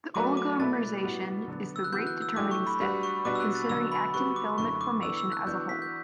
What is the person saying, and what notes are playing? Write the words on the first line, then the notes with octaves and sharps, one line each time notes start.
The oligomerization is the rate-determining step, considering actin filament formation as a whole.
F#3 A3 D4 F#4 B4 D6
D6
B2 A3 E4 B4 D5 A6
A2 G3 B3 F#4
D3 F#3 B3
E6
F#6
E3 B3 F#4 G6
F#6
E6
A2 F#3 A3 D4 G4 D6
C#6
B5
G3 D4 F#4 B4 B5
C#6
B2 G3 D4 F#4 B4 D6
E6
F#6
A6
D3 F#3 B3 F#4 E6
B5
G3 B3 F#4 B4 C#6
D6
F#2 D3 A3 E4 B4 C#6
D6
E3 B3 D4 A4 E6
E6
F#6
E3 B3 D4 F#4 G6
B6
G6